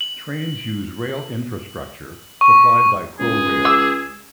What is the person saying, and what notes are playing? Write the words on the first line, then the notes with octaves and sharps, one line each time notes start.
Trains use rail infrastructure supplied by ProRail.
F#7
C#6
C#2 G#4
E6